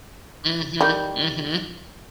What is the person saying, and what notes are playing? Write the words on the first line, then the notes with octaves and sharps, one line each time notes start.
Mhm, mhm.
D#3 G3